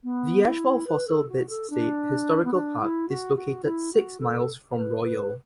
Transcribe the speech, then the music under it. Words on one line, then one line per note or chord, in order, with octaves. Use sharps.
The Ashfall Fossil Beds State Historical Park is located six miles from Royal.
B3
E4
B4
A4
F#4
A4
D4
B3
D4
E4
F#4
F#4
E4
F#4
A4
B4
B4